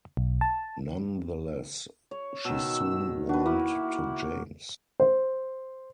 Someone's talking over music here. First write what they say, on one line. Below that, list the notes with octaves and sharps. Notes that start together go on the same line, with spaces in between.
Nonetheless, she soon warmed to James.
B1
A5
C#5
B2 D#3 E6
D4 F#4 B4
A#3 E4
C5